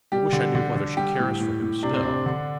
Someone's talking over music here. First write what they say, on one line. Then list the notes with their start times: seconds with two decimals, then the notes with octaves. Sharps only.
I wish I knew whether she cares for him still.
0.12 G3 G4
0.32 D3
0.55 D3
0.75 D3
0.97 G3 G4
1.19 A2
1.40 A2
1.62 A2
1.83 C3 D4
1.93 C4
2.02 C3 D4
2.26 D3